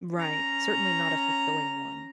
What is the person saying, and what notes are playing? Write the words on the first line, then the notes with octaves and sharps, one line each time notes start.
Right, certainly not a fulfilling one.
C#4 A#5